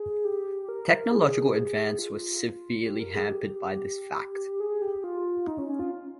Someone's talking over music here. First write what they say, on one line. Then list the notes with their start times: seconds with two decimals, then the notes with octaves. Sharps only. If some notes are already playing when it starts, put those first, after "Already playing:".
Technological advance was severely hampered by this fact.
Already playing: G#4
0.25 G4
0.69 A#4
1.12 G#4
1.45 G4
1.55 G#4
1.99 F4
2.86 G4
3.00 A#4
3.15 G#4
3.29 G4
4.60 G#4
4.82 G4
5.04 F4
5.47 D#4
5.58 C#4
5.69 C#4
5.79 F4